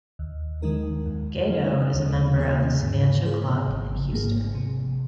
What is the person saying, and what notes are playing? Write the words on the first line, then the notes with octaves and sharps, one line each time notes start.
Gado is a member of the Samantia Club in Houston.
D#2
D#3 G#3 D#4 A#4
F2
F3 G#3
D#2
D#3 A#3 G#4
G#2
F3 A#3 G#4
G#1
G#2 F3 A#3 G#4
C3